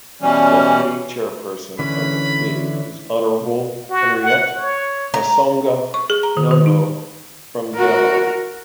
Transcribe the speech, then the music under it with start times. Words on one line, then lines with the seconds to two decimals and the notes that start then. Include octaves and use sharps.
Deputy Chairperson of the Committee is Honorable Henriette Massounga Nono from Gabon.
0.21 B2 E3 G3 C#4
1.79 D3 E3 C#4 B5
3.90 F#4
4.23 F#5
4.56 C#5
5.14 A#5
5.94 C#6
6.10 G#4
6.23 A#5
6.37 D#3
6.51 D#3
6.66 D#4
7.75 F#4 A#4